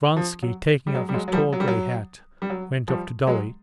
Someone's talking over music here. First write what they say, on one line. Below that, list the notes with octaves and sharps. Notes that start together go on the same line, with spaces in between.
Vronsky, taking off his tall gray hat, went up to Dolly.
F3
F#3
G3
F#3 G#3
G3
F#3 G#3
F#3
F3 G3
F#3
G3
F#3
G3
F#3
F3 G3
F#3 G#3